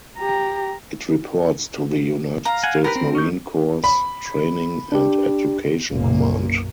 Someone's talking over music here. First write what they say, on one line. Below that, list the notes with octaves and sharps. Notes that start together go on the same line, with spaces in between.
It reports to the United States Marine Corps Training And Education Command.
G4 A#5
F5 A#5
F#5 G#5
B3 G4 A#4 B4 B5
C4
C#4 D#4 C#6 G6
B5
D4 G4
F#1 B1 A#2 A#3